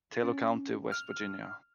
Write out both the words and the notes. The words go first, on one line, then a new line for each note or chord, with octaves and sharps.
Taylor County, West Virginia.
C#4
F6